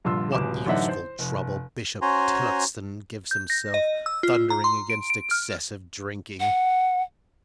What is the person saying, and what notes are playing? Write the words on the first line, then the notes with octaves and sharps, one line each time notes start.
What useful trouble Bishop Tillotson gives himself, thundering against excessive drinking.
A#1 G2 D3 F4 C6 E6
D1 C#2 C3 D6 E7
A1 F#2 D3 D#4 E5 F#5
C5
F1
C#4 F#4 C5 G#5 A#5 C6
G6
A#6
D#5
E6
F4
A#5
C6
D7
D7
F6
F#5